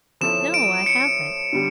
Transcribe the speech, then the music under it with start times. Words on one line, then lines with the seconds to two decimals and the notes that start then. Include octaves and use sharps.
"No, I haven't."
0.21 F3 C#4 E4 A4 C#5 E7
0.54 D7
0.86 C#7
1.53 D3 G3